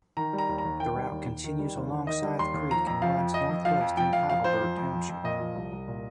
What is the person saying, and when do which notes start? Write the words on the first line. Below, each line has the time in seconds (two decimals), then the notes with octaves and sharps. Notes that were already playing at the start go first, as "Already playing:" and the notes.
The route continues alongside the creek and winds northwest into Heidelberg Township.
0.17 D#3 A#5
0.33 G3
0.38 A#5
0.49 D#2
0.58 A#5
0.65 D#2
0.80 D#3 G5
0.96 G3
1.12 D#2
1.28 D#2
1.44 D#3
1.59 G3
1.75 D#2
1.91 D#2
2.07 D#3 D#5
2.22 G3
2.39 D#2 C6
2.54 D#2
2.70 F3 A#5
2.87 F2 A#5
3.02 F3 F5
3.17 F2
3.34 F3 D#5
3.49 F2
3.65 F3 F5
3.81 F2
3.97 F3 G5
4.13 F2 F5
4.30 F3 F5
4.44 F2 C5
4.61 F3
4.77 F2
4.93 F3
5.09 F2
5.24 A#2 D#5
5.40 F3
5.55 C2
5.72 C2
5.88 A#2